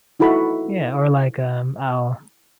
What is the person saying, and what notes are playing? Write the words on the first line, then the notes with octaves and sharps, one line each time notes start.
yeah, or, like, um, I'll
D#4 E4 F#4 A4 B5